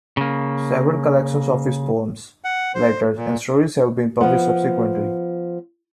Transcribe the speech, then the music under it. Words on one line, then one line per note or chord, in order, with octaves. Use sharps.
Several collections of his poems, letters and stories have been published subsequently.
C#3 A#3
F#5
C5
A#2
F3 B3